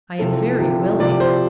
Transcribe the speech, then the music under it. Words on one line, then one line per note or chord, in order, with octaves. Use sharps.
"I am very willing."
C2 C3 F3 A4
C2 C3 F3
C2 C3 F3 D5
C5